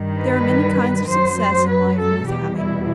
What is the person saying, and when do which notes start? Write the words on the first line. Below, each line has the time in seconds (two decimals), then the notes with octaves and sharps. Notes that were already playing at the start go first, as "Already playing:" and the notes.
There are many kinds of success in life worth having.
Already playing: G2 D#3 G3
0.19 B4
1.08 F#2 F#3 C5
1.38 C5
1.67 B4
1.98 A4
2.27 E2 B2 G3 G4
2.56 E4